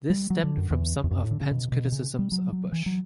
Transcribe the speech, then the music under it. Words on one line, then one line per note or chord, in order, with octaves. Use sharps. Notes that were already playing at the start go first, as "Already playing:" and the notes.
This stemmed from some of Penn's criticisms of Bush.
G3
F#3
D3
F#2
E2
E2
F#2
A2
D3
C#3
B2
B2
D3
C#3
G3
F#3
F#3
E3
F#3